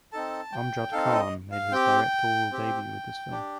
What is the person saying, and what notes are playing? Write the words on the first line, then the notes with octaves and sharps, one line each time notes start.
Amjad Khan made his directorial debut with this film.
C4 D#4 A4 A5
G5
C4 D#4 A4 F5
D#5
F5
C4 G4 G5
C4 G4
D4 G4